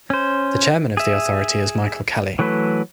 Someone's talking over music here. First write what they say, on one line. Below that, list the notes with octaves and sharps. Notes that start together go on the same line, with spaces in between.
The Chairman of the Authority is Michael Kelly.
C#4 C5
G#4 E5
E3 F#3 A3 B4